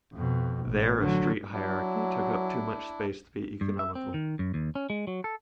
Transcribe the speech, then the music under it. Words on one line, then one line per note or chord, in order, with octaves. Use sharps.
There a street hierarchy took up too much space to be economical.
F2 B2
A1
D3 F#3
F#3 D4 E4
G2
E5
C4
D#3
F#2
D#2
C#4
G#3
F#3
A4